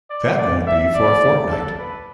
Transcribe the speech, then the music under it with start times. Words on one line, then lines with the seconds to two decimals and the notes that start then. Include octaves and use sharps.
That won’t be for a fortnight.
0.10 D5
0.38 D5
0.67 E5
0.95 D5
1.51 A4
1.79 B4